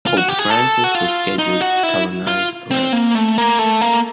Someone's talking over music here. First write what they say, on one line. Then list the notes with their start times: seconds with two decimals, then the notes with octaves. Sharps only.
Pope Francis was scheduled to canonize Rev.
0.07 F4
0.17 F#4
0.28 G4
0.39 G#4
0.50 A4
0.84 F#4
0.95 F4
1.38 D#4
1.61 F#4
1.83 E4
2.27 F4
2.71 C4
2.93 A#3
3.15 A3
3.38 A#3
3.59 A3
3.81 A#3